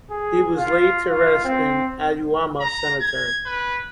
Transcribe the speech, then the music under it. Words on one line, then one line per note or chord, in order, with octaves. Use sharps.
He was laid to rest in Aoyama Cemetery.
G#4
F4
F4
C4
A#5
G#6
B4